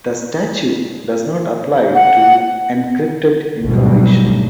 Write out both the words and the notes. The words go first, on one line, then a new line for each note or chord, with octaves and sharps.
The statute does not apply to "encrypted" information.
F#5
G#1 D2 B2 F#3 G3